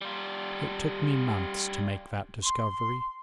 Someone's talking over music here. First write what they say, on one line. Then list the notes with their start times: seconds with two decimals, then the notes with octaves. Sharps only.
It took me months to make that discovery.
0.01 G3 F4
2.43 C6